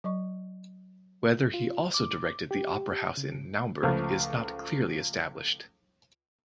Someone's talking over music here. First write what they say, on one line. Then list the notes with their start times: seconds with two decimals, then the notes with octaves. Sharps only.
Whether he also directed the opera house in Naumburg is not clearly established.
0.04 F#3 D#5 C#6
1.54 F4
1.94 D6
2.51 G4
3.17 C#3
3.83 C#2 F3 A3